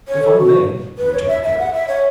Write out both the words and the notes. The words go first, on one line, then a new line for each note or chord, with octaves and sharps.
"If I may," returned Harry.
C#5
A4
F#4
B4
C#5
E5
E5
F#5
E5
C#5